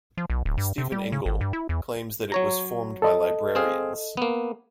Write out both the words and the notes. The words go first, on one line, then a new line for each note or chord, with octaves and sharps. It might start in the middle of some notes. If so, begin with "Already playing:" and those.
Stephen Ingle claims that it was formed by Librarians.
F3
B1
D1
G2
C3
G3
C#3
G#1
G2
E4
E2
F#3 C#5 A#5
A4 D#5
C4 G#4 F5
A#3 B3